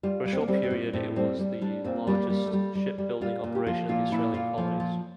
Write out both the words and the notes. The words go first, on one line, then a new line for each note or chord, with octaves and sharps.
For a short period, it was the largest shipbuilding operation in the Australian colonies.
G3 F4
G3
C4
A#3
G3 C4
C4
A2
A2 C4
G3 C4
G3
G3 D4
A#2 C4
G3
A#3
G3
A3
G3
G3
G3
G3 F4
A#2
G4
F3 F4
A#2 F4
A#2 E4
A#2 F4
F3
F3